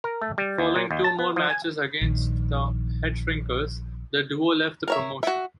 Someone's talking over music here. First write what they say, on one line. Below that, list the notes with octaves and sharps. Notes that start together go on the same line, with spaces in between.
Following two more matches against The Headshrinkers the duo left the promotion.
A#4
A3
G3
D#2
A#2
D#2
A5
B3
F3
G#5
A#1 D#3
A#4 C#5 E5
F#4 E5